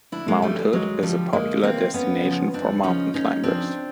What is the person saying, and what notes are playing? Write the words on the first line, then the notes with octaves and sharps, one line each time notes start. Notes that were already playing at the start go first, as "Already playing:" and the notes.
Mount Hood is a popular destination for mountain climbers.
D2 D4 E4
G#3 A#3
D3 F3 G3 A3
G3
D#2 F#3 G#3
D3 F3 G3 A3
D2 G#3 A#3
C3 E3 A#3 C4
F2 B3 C#4
C#3 F3
F2 C4 D4
C#3 F3 C#4 D#4
D#2 C#4 D#4
C#3 F3 C4 D4